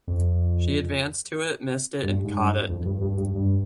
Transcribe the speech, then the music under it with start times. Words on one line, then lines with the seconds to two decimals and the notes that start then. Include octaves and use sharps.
She advanced to it, missed it, and caught it.
0.08 F2
2.03 G2
2.24 G#2
2.37 G2
2.69 F2
2.85 G2
3.01 G2
3.18 G2
3.35 G2